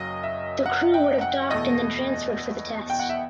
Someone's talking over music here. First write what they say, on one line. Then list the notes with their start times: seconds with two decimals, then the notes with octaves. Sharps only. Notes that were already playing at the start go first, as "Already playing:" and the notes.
The crew would have docked and then transferred for the test.
Already playing: F#1 F#2 F#3 D#5
0.23 E5
0.66 F#5
0.94 G5
1.21 F#5
1.50 E2 B2 A3 D#5
2.90 G5
2.99 F#5
3.09 E5